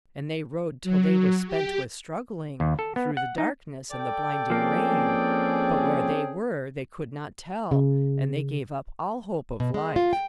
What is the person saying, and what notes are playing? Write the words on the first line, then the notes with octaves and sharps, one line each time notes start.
And they rowed till they were spent with struggling, through the darkness and the blinding rain, but where they were they could not tell, and they gave up all hope of life.
F#3
G4
D#2
A4
B3
F#5
D#4
A4 D5 G5
F3 A#3 C4 C#4 G#4
C#3
B2
G#3
F4
G5